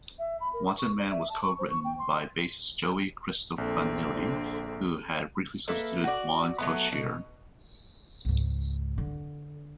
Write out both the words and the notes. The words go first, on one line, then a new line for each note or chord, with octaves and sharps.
"Wanted Man" was co-written by bassist Joey Cristofanilli, who had briefly substituted Juan Croucier.
E5
B5
A#4
C#6
D5
E5
A5
C#6
C5
C#6
G5
C6
A#1 D3 C4
A#3 A4 B4 E5
F#4 D5
F#3 A3 B3
B2
C#2 G#2
D3